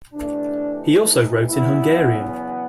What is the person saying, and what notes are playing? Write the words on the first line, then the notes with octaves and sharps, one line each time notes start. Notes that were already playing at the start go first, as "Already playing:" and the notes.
He also wrote in Hungarian.
C3 E3 A3 D4
D#4
E2 C#3 F#3 B3 E4